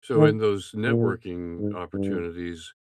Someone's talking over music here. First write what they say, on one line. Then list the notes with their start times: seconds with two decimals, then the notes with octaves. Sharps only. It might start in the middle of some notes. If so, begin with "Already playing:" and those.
So in those networking opportunities,
0.16 D#3
0.87 A#2
1.59 G#2
1.94 G2